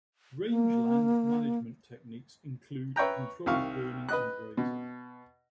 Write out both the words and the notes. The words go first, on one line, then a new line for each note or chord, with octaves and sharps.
Rangeland management techniques include controlled burning and grazing.
A#3
B4 C#5 E5 G5 A#5
C2 D#3 F5 C#6
B4 D#5 F#6
B2